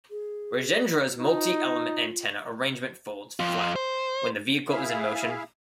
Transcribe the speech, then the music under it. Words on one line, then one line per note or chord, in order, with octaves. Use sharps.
Rajendra's multi-element antenna arrangement folds flat when the vehicle is in motion.
G#4
D#4 F4
F2 F4
C5
E4 G#4 E5 F5